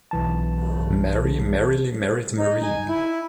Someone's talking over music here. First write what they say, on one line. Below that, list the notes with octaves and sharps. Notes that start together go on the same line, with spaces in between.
Mary merrily married Marie.
B1 E3 A5
D#4
G#5
E4